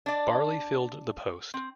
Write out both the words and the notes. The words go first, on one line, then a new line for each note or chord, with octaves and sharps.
Barley filled the post.
D4 D5
C4